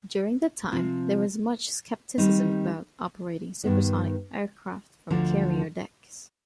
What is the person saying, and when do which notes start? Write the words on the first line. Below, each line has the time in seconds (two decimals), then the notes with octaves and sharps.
During the time, there was much skepticism about operating supersonic aircraft from carrier decks.
0.72 C3 F3 C4 F4
2.18 D#3 G3 C4 D#4
3.64 G2 D#3 B3
5.10 D2 D3 F3